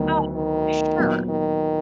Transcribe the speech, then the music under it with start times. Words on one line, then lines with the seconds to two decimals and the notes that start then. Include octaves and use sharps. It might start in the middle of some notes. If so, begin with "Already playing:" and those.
Oh, for sure.
Already playing: D2 D3 D#3 F#3 B3 E4
0.35 D#3
0.98 A#2 F#3 B3
1.30 D#3